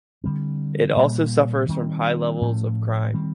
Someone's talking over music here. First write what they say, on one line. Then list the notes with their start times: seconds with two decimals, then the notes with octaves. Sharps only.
It also suffers from high levels of crime.
0.24 D3 G3 C4
0.96 A#2 G3 A#3
1.69 D#3 G3 C4
2.41 A2 F3 A3 C#4
3.14 D#3 G3 C4